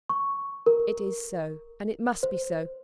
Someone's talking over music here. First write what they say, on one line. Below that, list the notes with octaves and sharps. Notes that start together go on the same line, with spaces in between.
It is so, and it must be so.
C#6
A#4
C5